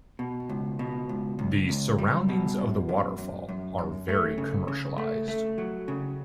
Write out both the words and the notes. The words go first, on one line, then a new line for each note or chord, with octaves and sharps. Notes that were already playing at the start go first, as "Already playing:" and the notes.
The surroundings of the waterfall are very commercialized.
B2
C#2
B2
C#2
C#2
C#2
G3
B2
F#2
F#2
F#2
F#2
F#2
A3
C#3
C#3
A3
A3
F#3
C#3